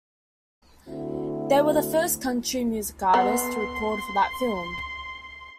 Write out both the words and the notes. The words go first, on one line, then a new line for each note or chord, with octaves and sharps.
They were the first country-music artists to record for that firm.
D2 C4 E4 F#4
B3 C6